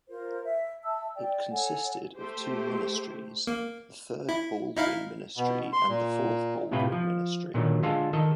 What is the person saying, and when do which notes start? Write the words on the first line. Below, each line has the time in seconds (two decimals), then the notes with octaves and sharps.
It consisted of two ministries: the third Baldwin ministry and the fourth Baldwin ministry.
0.09 F4 A#4 C5
0.44 E5
0.83 E5 A5 E6
1.14 D5 G5
1.50 A4 C#5 F#5 G#5
2.16 A3 G4 C5
3.47 A#3
4.29 E4
4.76 D#4 E4 F5
5.37 B2
5.73 C6
5.88 A#2
6.72 A2 C3 E4 F4 B4 G5
6.92 F3
7.54 A#2 D3 D#3 F#3
7.83 D3 G#3 F4 A4
8.13 D#3 A4 D#5